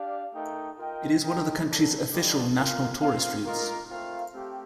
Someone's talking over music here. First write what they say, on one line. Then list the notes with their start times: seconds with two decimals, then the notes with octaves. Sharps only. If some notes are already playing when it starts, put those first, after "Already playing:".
It is one of the country's official national tourist routes.
Already playing: D4 G4 D5 F5
0.34 A3 D#4 A#4 D#5 G5
0.79 F4 A#4 D#5 G5
1.23 C4 D#4 A#4 D#5 G5
1.68 A#3 D4 A4
2.11 G3 D4 F4 A4 D#5
2.56 F4 A#4 F5
3.00 C4 F4 A#4 F5
3.44 A#3 F4 A#4 D#5
3.89 A3 C4 F4 A#4 F5
4.33 A3 C4 G4